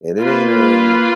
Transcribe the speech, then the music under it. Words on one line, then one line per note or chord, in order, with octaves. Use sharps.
and it ain't a
A#3 F4 B4